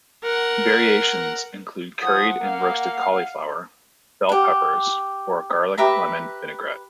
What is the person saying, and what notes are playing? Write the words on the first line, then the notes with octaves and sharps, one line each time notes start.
Variations include curried and roasted cauliflower, bell peppers, or a garlic lemon vinaigrette.
A#4 F#5
F3 F#5 D#6
A#3 F5
G4 F#5
G4 B4 E5 A#5